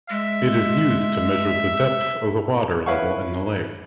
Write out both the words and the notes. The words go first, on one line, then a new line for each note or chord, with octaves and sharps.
It is used to measure the depth of the water level in the lake.
G#3 E5
E4 B4 C#5 F5 F#5 C#6